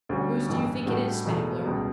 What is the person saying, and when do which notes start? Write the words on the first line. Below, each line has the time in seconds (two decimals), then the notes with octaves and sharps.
"Whose do you think it is, Spangler?"
0.09 D2 D3 G3 C#4 F#4
0.49 A1 G2 E3
0.86 A1 A2 G3 D4 F#4
1.25 E1 E2 B2 A3
1.63 C#2 B2 G3